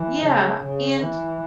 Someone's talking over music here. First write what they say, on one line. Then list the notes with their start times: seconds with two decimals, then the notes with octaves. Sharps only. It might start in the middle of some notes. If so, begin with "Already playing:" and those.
Yeah, and
Already playing: E3
0.26 C#3
0.64 C#3
1.02 E3